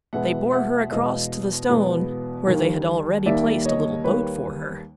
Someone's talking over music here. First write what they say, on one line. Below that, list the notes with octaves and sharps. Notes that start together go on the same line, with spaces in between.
They bore her across to the stone where they had already placed a little boat for her.
E2 B2 G#3 B3 E5 F#5
E5 F#5
E2 B2 G#3 B3 D#5 F5
E2 B2 G#3 B3
D#2 D#3 G3 A#3
D#2 D#3 G3 A#3 D5 E5
C#5 D#5
D#2 D#3 G3 A#3 B4 C#5